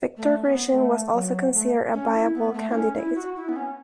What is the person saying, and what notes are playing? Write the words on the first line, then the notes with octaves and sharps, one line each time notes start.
Viktor Grishin was also considered a viable candidate.
A3
B3
A3
F#3
A3
C#4
E4
B3
A3
E4
C#4
E4
F#4
E4
B3
C#4